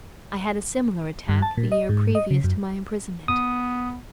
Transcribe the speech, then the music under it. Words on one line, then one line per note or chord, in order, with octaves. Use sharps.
I had a similar attack the year previous to my imprisonment.
G2
A5
A#2
D#5
G#2
D#5
C#3
F#2
B3 D#6